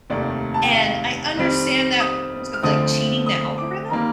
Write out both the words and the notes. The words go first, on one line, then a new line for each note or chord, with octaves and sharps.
and I understand that point of like cheating the algorithm.
F1 D#2 D#3 A3 D5
A5
G5
F5
F2 D#3 G3 C4
D#6
F6
D2 D3 F3 A3 C4 D#6
D#6
D6
D#3 G3 A#3 A#5